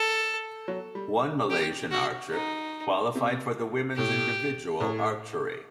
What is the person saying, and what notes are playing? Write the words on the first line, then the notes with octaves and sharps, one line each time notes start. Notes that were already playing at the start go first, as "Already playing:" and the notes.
One Malaysian archer qualified for the women's individual archery.
Already playing: A4
F#3
G3
G4
F#4
D#4
C3
A2 G4
A2